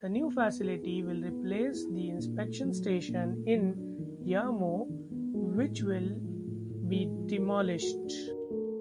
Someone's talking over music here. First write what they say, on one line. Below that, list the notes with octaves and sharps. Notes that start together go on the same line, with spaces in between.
The new facility will replace the inspection station in Yermo, which will be demolished.
B3
B3
G#4
E4
B3
B3
G#4
E4
D4
A#2
A3
F#3
D4
A#2
A3
F#3
D4
D#3
B3
G#3
D4
D#3
B3
G#3
A2
A2
G#3
F3
A2
A2
G#3
F3
A#4
A3
F#4
D4
A#4
A3